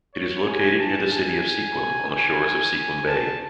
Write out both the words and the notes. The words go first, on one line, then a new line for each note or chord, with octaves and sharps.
It is located near the city of Sequim on the shores of Sequim Bay.
C#5
G#5
A5
G#5
G#5
A5